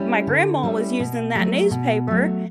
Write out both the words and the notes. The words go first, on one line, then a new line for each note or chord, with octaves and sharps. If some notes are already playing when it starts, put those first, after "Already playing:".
my grandma was using that newspaper
Already playing: G3 C#4 E4
D3
G3 C#4 E4
B2
F#3 A3
B2
F#3 A3